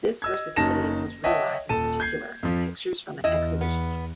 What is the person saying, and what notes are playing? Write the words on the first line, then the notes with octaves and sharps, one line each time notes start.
This versatility was realized in particular in “Pictures from an Exhibition”.
D#5 E6 G#6
F#1 C#4 D#4 A5 A#6 E7
C#5 D#5 E5 F#5 G5 A5
D#1 A4 A5 D#7
G6 G#6 C7
F2 F3
E2 E4 D#5
B3